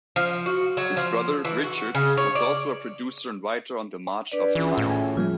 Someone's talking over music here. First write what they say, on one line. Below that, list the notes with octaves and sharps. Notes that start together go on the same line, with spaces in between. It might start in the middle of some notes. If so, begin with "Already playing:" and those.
His brother, Richard, was also a producer and writer on "The March of Time".
F3
F#4
F#3
F3
E3
F#4
C#3
C#5
D5
D4 B4 D5
E3 C#4 F4 G#4
A2
G#5
F3 G3 A#3 F4 G#4